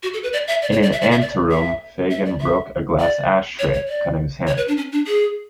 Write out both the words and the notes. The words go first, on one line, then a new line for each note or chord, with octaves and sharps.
In an anteroom Fagan broke a glass ashtray, cutting his hand.
F#4
A4
B4
D5
E5
D5
C#5
D5
E5
D5
E5
D5
E5
E5
D5
E5
D5
C#5
C#5
D5
C#5
B4
D4
C#4
D4
G#4